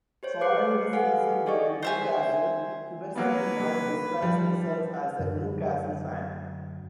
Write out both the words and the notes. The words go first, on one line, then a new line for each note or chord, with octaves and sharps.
Following his season with Newcastle, Sibierski now describes himself as a Newcastle fan.
G4 C5 C#5
G#4 B4 D6 F#6 C7 C#7
G4 A4 B4 F5 F#5 G#5
G#4 A4 D5 D#5 G5 C#6
C5 E5 G#5
F#3 A#3 B3 B4
F3 G3
F#2 D3 F#3